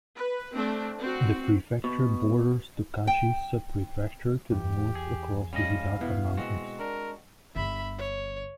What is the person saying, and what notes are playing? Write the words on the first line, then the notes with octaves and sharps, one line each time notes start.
The prefecture borders Tokachi Subprefecture to the north across the Hidaka Mountains.
B4
A3 C4 D4
C4 F#4
B2
G5
E2 G4
G#4
G3 G#3 C#4 D#5 F5
B2 B3 E4
G#3 C4 F#4
D4 A#4
G1 D3 E5 B5
C#5